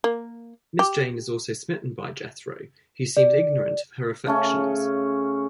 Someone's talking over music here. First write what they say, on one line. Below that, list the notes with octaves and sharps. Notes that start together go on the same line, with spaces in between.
Miss Jane is also smitten by Jethro, who seems ignorant of her affections.
A#3
G4
D5
C#3 A3 C#4